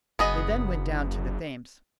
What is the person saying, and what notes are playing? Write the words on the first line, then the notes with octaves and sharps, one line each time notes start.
They then went down to the Thames.
F#1 B3 G#4 D#5